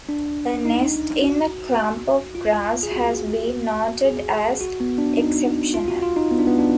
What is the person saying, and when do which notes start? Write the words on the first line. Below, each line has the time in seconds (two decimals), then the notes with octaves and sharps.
A nest in a clump of grass has been noted as exceptional.
0.09 D4
0.65 D#4
1.21 F#4
2.35 F4
2.83 G#4
2.91 F#4
4.05 G#4
4.61 F#4
4.80 B3
4.98 D4
5.18 D#4
5.74 F4
5.88 F#4
6.03 F4
6.16 D#4
6.31 B3
6.39 D4
6.47 B3
6.59 D4